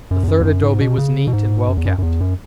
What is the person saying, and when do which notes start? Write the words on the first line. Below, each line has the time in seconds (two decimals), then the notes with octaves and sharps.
The third adobe was neat and well kept.
0.11 F#2
0.23 E2
0.28 F#2
0.40 E2
0.45 F#2
0.63 G#2
0.81 B2
0.98 C#3
1.27 B2
1.33 G#2
1.68 F#2
1.77 E2
1.86 F#2
1.98 F#2
2.02 E2
2.21 F#2